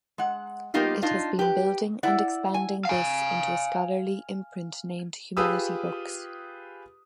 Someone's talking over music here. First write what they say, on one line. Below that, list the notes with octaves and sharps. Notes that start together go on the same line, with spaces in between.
It has been building and expanding this into a scholarly imprint named Humanity Books.
G#3 F#5
G3 A#3 B3 D#4 F4 G4
D4 D#4 F4
G4 B4
E4 D5 F#5
G#5
F5 G#5
F4 G4 G#4 B4 D#6 E6